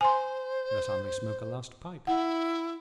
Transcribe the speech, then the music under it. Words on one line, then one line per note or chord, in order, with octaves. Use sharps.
'That I may smoke a last pipe.'
C5 G#5 C6
E4 F#5